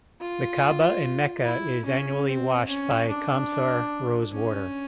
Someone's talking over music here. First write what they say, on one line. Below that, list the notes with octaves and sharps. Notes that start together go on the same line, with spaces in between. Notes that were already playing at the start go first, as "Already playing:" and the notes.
The Kaaba in Mecca is annually washed by Qamsar rose water.
F4
E4
C#4
C4
C#4
D4
C#4